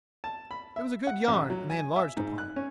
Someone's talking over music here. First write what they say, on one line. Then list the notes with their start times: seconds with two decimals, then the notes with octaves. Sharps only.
It was a good yarn, and they enlarged upon it.
0.24 A5
0.51 B5
0.76 E5
1.07 F#5
1.28 A1
1.50 F#3
1.70 G#5
1.96 E5
2.17 G#2
2.38 F#6
2.56 C#4